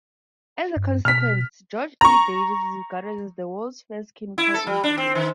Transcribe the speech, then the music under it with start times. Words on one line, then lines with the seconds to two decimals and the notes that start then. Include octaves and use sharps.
As a consequence George E. Davis is regarded as the world's first chemical engineer.
0.76 G2
1.05 B2 F6 B6
2.01 A#5 C#6
4.38 E4
4.54 A4
4.67 G3
4.84 D4
4.98 C4
5.15 D#3